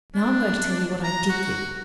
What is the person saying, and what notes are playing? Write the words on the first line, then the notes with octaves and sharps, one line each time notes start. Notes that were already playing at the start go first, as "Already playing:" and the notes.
Now I'm going to tell you what I did give.
D4
A#5
F#4